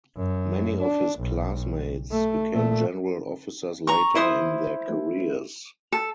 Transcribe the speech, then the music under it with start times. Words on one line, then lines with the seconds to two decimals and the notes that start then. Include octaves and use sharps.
Many of his classmates became general officers later in their careers.
0.17 F#2
0.81 D4
1.19 B1
2.12 A3
2.53 A#2 A3
3.87 A#5 C#6
4.15 E4 C5 D#6
5.92 A4